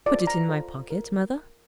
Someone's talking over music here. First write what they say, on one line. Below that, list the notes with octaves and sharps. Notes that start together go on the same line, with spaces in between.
'Put it in my pocket, Mother.'
F4 A4 C5 D5
A#5
F4 A4 C5
A#4